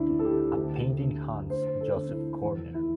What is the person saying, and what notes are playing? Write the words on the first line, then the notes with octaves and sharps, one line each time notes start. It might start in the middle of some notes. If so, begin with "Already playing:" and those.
A painting haunts Joseph Koerner.
Already playing: D2 D4 E4
D3
A4
G4
D2
D3
D2 C5
A4
D3
E4
E2
E4